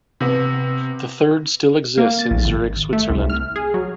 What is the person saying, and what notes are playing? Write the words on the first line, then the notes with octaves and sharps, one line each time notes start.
The third still exists in Zurich, Switzerland.
C3 B3
A#3
A6
A#1
G#1
A3
C2
F6
G#4
F#3